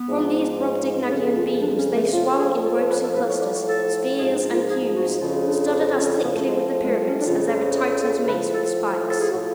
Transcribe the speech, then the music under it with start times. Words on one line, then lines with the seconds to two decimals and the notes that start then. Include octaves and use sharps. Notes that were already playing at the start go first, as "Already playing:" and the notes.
From these Brobdignagian beams they swung in ropes and clusters--spheres and cubes studded as thickly with the pyramids as ever Titan's mace with spikes.
Already playing: B3
0.08 G#2 F3
1.03 B3
1.10 F2 C#3 F3 C#4
1.36 F4
1.62 D4
1.79 C#4
1.96 A3
2.13 F2 F3 F4
2.39 G#4
2.65 A4
2.77 C#5
2.90 B4
3.03 A4
3.15 A2 F3 B4
3.28 C#5
3.41 D5
3.54 C#5
3.67 A4
4.18 G#2 F3 G#4
4.36 D4
4.53 F4
4.70 G#4
4.96 F#4
5.21 F2 C#3 F3 F4
5.46 D4
5.98 C#4
6.23 A2 F3 B3
6.36 A3
6.49 G#3
6.84 G#3
6.91 A3
7.09 C#4
7.21 D4
7.26 F2 C#3 F3 F4
7.77 G#4
8.03 A4
8.28 A2 F3 B4
8.54 A4
9.10 A4
9.21 G#4
9.31 A2 F3 F#4